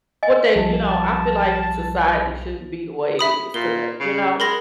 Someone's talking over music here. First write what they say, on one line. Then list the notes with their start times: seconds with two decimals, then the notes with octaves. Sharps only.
What they You know, I feel like society shouldn't be the way it is today, you know?
0.23 D#5 G#5
0.55 B1 F3 G3 A5
3.19 E5 B5 D#6
3.54 A#2 G7
4.00 C#3
4.40 G#3 A#4 B5 A#6